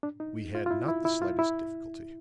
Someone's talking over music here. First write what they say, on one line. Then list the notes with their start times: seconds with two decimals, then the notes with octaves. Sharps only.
"We had not the slightest difficulty."
0.03 D4
0.20 D#4
0.55 F4
0.66 F4
0.71 E4
0.88 E4
1.05 E4
1.22 F4
1.39 E4